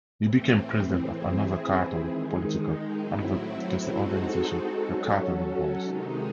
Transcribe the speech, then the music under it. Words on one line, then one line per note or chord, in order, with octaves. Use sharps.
He became president of another Catholic political advocacy organization, Your Catholic Voice.
A2 E3 C4
E3 C4 E4 G#4
D#3 G#3 D#4
A2 F#3 C4 E4
G#3 C4 D#4 F#4 A4
F#3 C#4 F#4 A4
C3 D#3 G#3 D#4